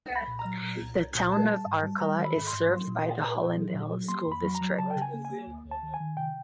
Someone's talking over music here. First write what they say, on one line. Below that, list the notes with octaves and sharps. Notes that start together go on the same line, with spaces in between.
The Town of Arcola is served by the Hollandale School District.
C2
B5
A#2
A#5
F#3
A#2
C2
C2
A#2
G3 A5
G3
G#2
G3
G3 A#5
D#3
B5
G#2
C6
G#2
F#3
A#2
A#2
A#2
A#2
F#3
A#2
F#3
A#3 C6
F2 B5
F#3
A#5
F#3
C#3 A5
G5
C#3
G#5
A#3
G#5
A#3
D2
D2
A5
D#3
G#5
D#3
C3 G5